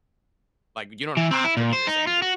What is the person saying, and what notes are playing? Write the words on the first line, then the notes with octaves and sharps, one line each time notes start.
Like, you don't have to be this angry."
E3
C4
E4
A#2
C5
D#4
F4
F#4